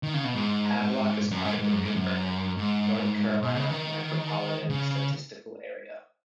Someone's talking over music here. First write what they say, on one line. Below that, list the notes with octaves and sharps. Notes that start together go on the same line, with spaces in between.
Havelock is part of the New Bern, North Carolina Micropolitan Statistical Area.
D#3
C#3
B2
G#2
F#2
G#2
G#2
F#2
G#2
F#2
G#2
B2
C#3
D#3
C#3